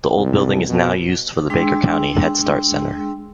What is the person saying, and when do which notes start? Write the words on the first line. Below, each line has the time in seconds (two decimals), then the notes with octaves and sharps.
The old building is now used for the Baker County Headstart Center.
0.17 C2
0.68 B2
1.50 G#3 D4 G#4 G5 C6 E6